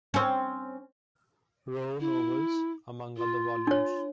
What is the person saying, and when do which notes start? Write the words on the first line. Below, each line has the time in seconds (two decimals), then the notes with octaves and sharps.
Roe novels among other volumes.
0.14 C4 C#4
2.00 E4
3.16 F4
3.67 D4 C#5